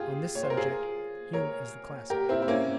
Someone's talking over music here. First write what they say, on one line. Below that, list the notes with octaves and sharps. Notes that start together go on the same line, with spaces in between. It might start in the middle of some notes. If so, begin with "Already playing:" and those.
On this subject Hume is the classic.
Already playing: F4 G4 G#4
C#5
C5
A#4
F4 G#4
A#4 C#5
G4 A#4
C4 E4
E4
A#3 C#4